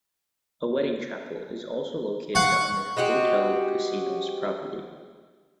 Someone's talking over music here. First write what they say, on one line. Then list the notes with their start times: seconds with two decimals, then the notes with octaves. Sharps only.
A wedding chapel is also located on the hotel casino's property.
2.35 F5 F#5 C#6
2.97 G#3 C4 F#4 G4